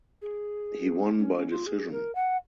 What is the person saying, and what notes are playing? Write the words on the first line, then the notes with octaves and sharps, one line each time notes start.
He won by decision.
G#4
C#4
C#4
F4
G#4
A#4
F#5